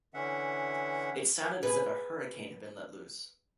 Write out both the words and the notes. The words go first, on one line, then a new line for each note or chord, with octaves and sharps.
It sounded as if a hurricane had been let loose.
D3 E3 C#4 E5 F#5
G#4 B4